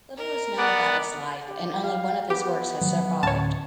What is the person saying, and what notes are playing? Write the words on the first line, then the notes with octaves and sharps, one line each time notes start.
Little is known about his life and only one of his works has survived.
A#4
B3 D5 F#5
G4
F5
B3 G4
D#3 F3 F#3
D2 A2 C#4 C#5 A5